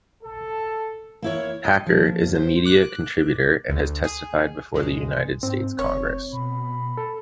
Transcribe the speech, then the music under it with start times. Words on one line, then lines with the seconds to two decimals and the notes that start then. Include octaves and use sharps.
Hacker is a media contributor and has testified before the United States Congress.
0.23 A4
1.22 A#3 E4 C#5
1.65 D#5
1.87 F3 A#3
2.35 C5
2.65 D6 F#6
3.69 D2
4.04 G#4
4.74 B1 F#2 G#3
5.43 G#2 C4
5.79 F1 C#5
6.33 B2 B5
6.97 A4